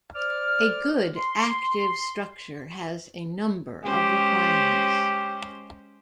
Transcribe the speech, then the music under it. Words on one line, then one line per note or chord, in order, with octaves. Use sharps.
A good active structure has a number of requirements.
C5 D5 D6 F6
C6
G#3 C#4 G4 C5